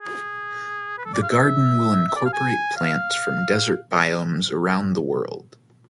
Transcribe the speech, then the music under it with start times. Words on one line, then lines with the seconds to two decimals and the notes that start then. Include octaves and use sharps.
The garden will incorporate plants from desert biomes around the world.
0.02 G#4
0.98 B4
1.05 A4
1.13 D5
1.22 F5
1.31 E5
2.08 E5
2.16 D5
2.25 F5
2.33 G#5
2.77 F5